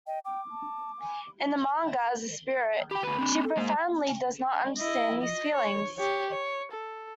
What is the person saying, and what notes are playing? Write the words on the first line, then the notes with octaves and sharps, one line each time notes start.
In the manga, as a spirit, she profoundly does not understand these feelings.
D#5 G5
G5 D6
A5
G#5
G4 G5 B5
D2 B4 B5
C4 D4
A4
G#3 A#3 C5
E4 D#5
D#5
C#5
G4 C#5
C#5
A4